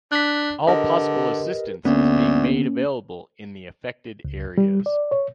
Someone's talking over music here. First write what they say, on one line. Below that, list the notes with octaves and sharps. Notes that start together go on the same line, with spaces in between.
All possible assistance is being made available in the affected areas.
D4 F#6 B6
D3 G4 A#4 B4 D#5
D2 D3 A#3 B3 C#4
C#2
G3
D5
C#5